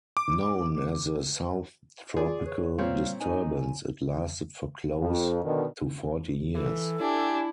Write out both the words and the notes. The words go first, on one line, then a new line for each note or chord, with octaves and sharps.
Known as the "South Tropical Disturbance" it lasted for close to forty years.
D6
F4 G#4 D5
B4 C#5
A#2 G3 C4 C#5 F5
D#4 G#5
F2
B2 D3 D#3
E3 A4
D4 E4 G4 G#5